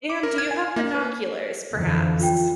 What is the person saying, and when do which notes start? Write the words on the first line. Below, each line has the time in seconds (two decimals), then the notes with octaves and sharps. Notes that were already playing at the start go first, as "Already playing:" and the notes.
And do you have binoculars perhaps?
0.10 D6
0.23 A#4
0.38 G#6
0.51 G#5
0.76 A#3
0.94 B4
1.74 F2 D3 E3
2.20 F4 G5